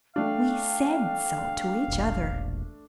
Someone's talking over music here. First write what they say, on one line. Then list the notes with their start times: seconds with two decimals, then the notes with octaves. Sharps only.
We said so to each other.
0.16 A3 D4 F5 G5
1.88 E1 A#1